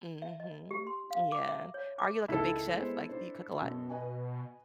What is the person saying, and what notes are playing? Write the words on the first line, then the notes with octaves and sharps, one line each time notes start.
Mhm, yeah. Are you, like, a big chef? Like, do you cook a lot?
E5
D#5
G4
C6
F5
D6
E5
C#5
D6
C#2 G#2 D#3 E4 A4
G#3 B3 C5
D4 C5
F#2 B2
B4 D#5 G#5